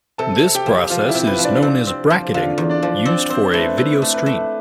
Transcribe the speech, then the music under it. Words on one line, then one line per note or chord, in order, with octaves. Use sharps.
This process is known as bracketing used for a video stream.
C3 A4 A5
C3
G4 G5
F3
F3 F4 F5
E4 E5
C3
B4
F3
D4 D5
C4
C4
F3
D3 F4 F5
E2
D4 D5
F3
C4 D4 D5
C4 C5
A3 B4
E4 B4
A3
B4
A3